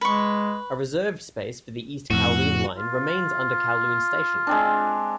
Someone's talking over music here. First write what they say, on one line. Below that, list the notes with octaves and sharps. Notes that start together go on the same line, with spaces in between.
A reserved space for the East Kowloon Line remains under Kowloon Station.
G#3 B4 C#6
F2 A2 F#4
F4
G#3 C4 D4